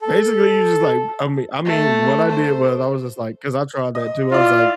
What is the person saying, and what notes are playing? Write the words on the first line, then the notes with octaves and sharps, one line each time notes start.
Basically, you just like, uh, I mean I mean, what I did was I was just like 'cause I tried that too, I was like,
A4
A3
C5
D#5
E4 F4 D5